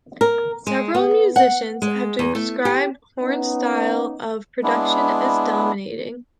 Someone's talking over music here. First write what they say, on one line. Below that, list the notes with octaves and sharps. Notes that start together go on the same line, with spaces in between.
Several musicians have described Horn's style of production as dominating.
A#4
G#3
B3
F#5
G#3
E2
A3
G4
B3 C#4 D#4
G#3 B3 D4 E4